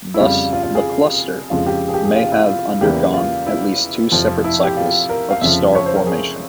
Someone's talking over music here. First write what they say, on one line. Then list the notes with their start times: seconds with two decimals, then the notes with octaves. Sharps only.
Thus the cluster may have undergone at least two separate cycles of star formation.
0.14 E4
0.19 F2 C#3 G3 F4
0.53 F4
0.63 F4
0.75 G#4
1.50 F2 C#3 F3 G#3 F4
1.66 G4
1.88 G#4
1.94 G4
2.05 G#4
2.15 F4
2.32 E4
2.49 F4
2.81 E2 C#3 E3 A#3 G4
3.13 F4
3.46 E4
4.12 F2 C3 F3
4.44 E4
4.64 G4
4.77 F4
5.09 A#4
5.31 F5
5.41 F2 C#3 F3 E5
5.75 C#5
5.86 C5
5.96 A#4
6.07 G#4